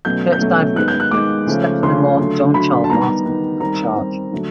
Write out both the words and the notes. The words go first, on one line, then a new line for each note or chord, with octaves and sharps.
Curtis died a year later and his stepson-in-law, John Charles Martin, took charge.
B2 F#3 A3 C#4 G6
G6
B2 F#3 A3 C#4
D#3 G#3 B3 D#4 F#6
G6
F#6
D#3 G#3 B3 D#4 D6
C#3 F3 A3 C#4
C#3 F3 A3 C#4 C6
D3 F#3 A3
D3 F#3 A3 B5
A5
D#3 G3 B3 D#4 A#5
D#3 G3 B3 D#4
D#3 G3 C4 A#5
D#3 G3 C4
D3 F#3 A3 D4